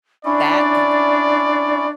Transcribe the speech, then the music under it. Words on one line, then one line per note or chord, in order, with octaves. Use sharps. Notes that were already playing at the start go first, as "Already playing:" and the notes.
That and
C#4 D4 E4 D5